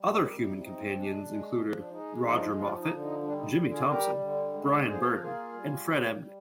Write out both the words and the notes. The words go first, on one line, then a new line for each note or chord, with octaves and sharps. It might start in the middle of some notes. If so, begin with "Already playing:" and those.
Other human companions included Roger Moffat, Jimmy Thompson, Bryan Burdon and Fred Emney.
Already playing: G3
D#4
C5
C3 G4 A#4
D#4 G4
C4 D#4
G#3 D4
G#3
F3
D4
G#3 D#4
F3 D#4
F3 D4 F4
D#4
D3
D#4
G3 D4
D#4
D3
F4 G#4
G3 G4 A#4
D3
G#3
F3 G#4 C5
A#4
A#3 F4 G#4
G3
A#3
G3